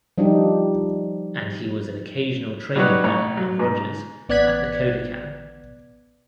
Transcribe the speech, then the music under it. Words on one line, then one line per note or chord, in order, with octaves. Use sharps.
And he was an occasional training partner of Rogers at the Kodokan.
F3 G3 D4 D#4 G4
F#3 G3 D#4 F#4 B4 C#5
A1 C#5
F#3
G#2
A1 B3 D5 F#6 G#6 B6